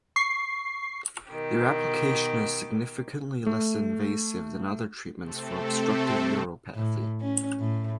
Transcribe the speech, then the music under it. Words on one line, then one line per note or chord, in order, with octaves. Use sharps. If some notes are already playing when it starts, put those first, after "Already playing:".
Their application is significantly less invasive than other treatments for obstructive uropathy.
C#6 C7
B2 D#3 G4
A3
C3 A3 C4 A4
A2
C#4
A2